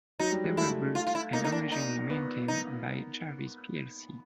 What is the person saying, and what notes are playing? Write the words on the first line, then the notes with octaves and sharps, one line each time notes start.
They were built and originally maintained by Jarvis plc.
F#3 D#4
G3
G#3
A3 E4
F4
F4
E4
A#3 D#4
D#4
D4
D#4
B3
D#4